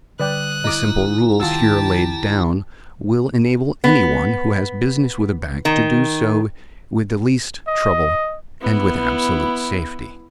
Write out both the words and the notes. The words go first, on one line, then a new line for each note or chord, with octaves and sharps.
The simple rules here laid down will enable anyone who has business with a bank to do so with the least trouble and with absolute safety.
D3 G3 B4 D5 G5 D#6 F#6
E4 D#5 A#5 D6
C2 D#3 F4 G4 F#5 A5 E6
B3
D#3
D#5
B3 E4